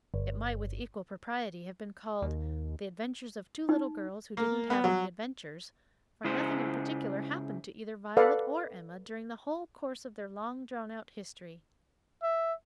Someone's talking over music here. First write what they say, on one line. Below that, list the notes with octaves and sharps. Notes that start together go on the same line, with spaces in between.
It might with equal propriety have been called "The Adventures of two little Girls who didn't have any Adventures," for nothing in particular happened to either Violet or Emma during the whole course of their long-drawn-out history.
G1
D#2
D#4
A#3
B3
F#3
C#3 G#3 E4 G#4 C5
A4 B4 D5 F5 F#5
E5